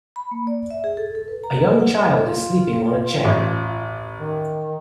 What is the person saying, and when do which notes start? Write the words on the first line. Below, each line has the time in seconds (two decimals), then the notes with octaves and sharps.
A young child is sleeping on a chair.
0.16 B5
0.31 A#3
0.47 D5
0.71 E5
0.84 G#4
0.97 A4
1.15 A4
1.28 B4
1.44 A#5
1.63 B4
1.80 F#5
2.16 F4
3.24 A1
4.18 D#3